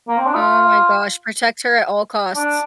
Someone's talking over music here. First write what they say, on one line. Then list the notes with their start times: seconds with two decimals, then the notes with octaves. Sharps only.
Oh my gosh. Protect her at all costs.
0.08 A#3
0.17 C4
0.26 D4
0.35 F4
2.35 D4